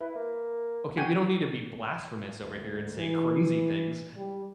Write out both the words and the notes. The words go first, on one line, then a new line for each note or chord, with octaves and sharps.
Okay, we don't need to be blasphemous over here and say crazy things.
E4 B4
A#3
F#4 G5 G#5
D2
E3
G3